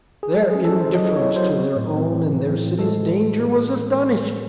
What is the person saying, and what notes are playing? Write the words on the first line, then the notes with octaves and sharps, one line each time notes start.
Their indifference to their own and their city's danger was astonishing.
G#4
F#3 A4
C#4 G#4
A4
E4
C5
F#3 D#5
E4 C#5
F#3 C5
C4
A2
C4
E3
E3
A2
G#3 A4